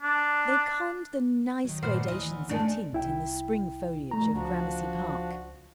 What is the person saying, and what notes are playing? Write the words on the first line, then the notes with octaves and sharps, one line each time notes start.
They conned the nice gradations of tint in the spring foliage of Gramercy Park.
D4
D#3 F#3
G2 A#2 C5 F#5 B5 F6
D#2 E3 D#5
F#2 A2 G#3 A3 D4 D5 G#5
C2 E4 G5
F2 A#2 G3 A3 A#5
C#2 F3 D4 F#4